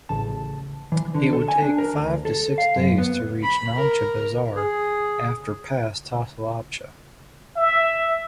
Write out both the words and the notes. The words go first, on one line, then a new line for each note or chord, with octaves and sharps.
It would take five to six days to reach Namche Bazaar after pass Tasilapcha.
A1 C#3 A5
E3
D3
A4
G#5
D4
A#4
D2
A4
F5
F#2
B3
B5
A#4
G#4
E5